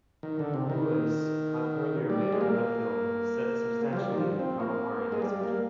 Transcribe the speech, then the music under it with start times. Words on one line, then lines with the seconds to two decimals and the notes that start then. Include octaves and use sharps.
Uys had earlier made another film set substantially in the Kalahari Desert.
0.23 D#3
0.39 D3
0.54 C3
0.70 D#3
2.10 G3
2.32 G#3
2.41 A#3
3.93 F3
3.97 G3
4.11 D#3
4.18 F3
4.39 C4
4.60 A#3
5.12 G#3
5.22 G3
5.43 A#3